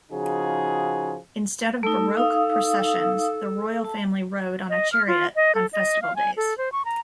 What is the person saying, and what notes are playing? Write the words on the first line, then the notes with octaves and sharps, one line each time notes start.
Instead of barque processions, the royal family rode on a chariot on festival days.
C#3 F3 D#4 F#4 G#4
A3 D#4 A4
D#4 F5 D#6
A5
D#5
F6
F4
D#5
A4
D#5
F5
G#5
A4
C5
C#6
A#5